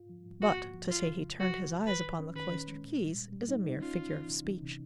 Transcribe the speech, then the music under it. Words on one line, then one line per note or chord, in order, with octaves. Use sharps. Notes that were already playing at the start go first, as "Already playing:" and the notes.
But, to say he turned his eyes upon the cloister keys, is a mere figure of speech.
Already playing: G#2 F4
F3
G#2
A#3 F#4
G#2
F3
F2 F4
C#3
C#3
F#3 F#4
F2
F2
D#3 B4
D#3
C#4
D#3 B4
C#4
G#3
A#2
G3
A#2
G3
D#4
D#4
C#4 F4
C#4
E3
C3
E3
C3